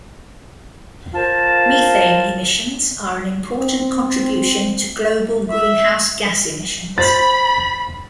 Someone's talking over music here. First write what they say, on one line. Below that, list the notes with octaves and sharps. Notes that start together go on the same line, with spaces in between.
Methane emissions are an important contribution to global greenhouse gas emissions.
F4 A#4 C5 A5
C4
E5
C5 B5 A6